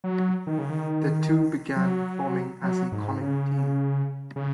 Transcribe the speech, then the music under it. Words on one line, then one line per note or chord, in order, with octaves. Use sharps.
The two began performing as a comic team.
F#3
D#3
C#3
D#3
F#3
F#3
G#2
C#3
C#3